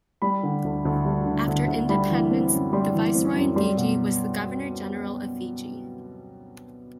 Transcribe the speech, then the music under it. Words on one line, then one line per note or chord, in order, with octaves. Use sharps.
After independence, the Viceroy in Fiji was the Governor-General of Fiji.
G3 B5
D3
D2
D2
G3
D3
D2
D2
G3 B5
E3
C4
F#2
G3 C6
E3
C4
F#2
G3 C6
B2